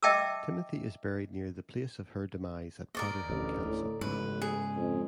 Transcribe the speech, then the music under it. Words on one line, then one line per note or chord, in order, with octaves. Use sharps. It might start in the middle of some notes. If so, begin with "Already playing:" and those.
Timothy is buried near the place of her demise at Powderham Castle.
D#5 E5 G5 A5 D6 E6
A#4 D5 D#5
D1 A1 D3
A2
A1 G#2 C#3 B4
G#4
F2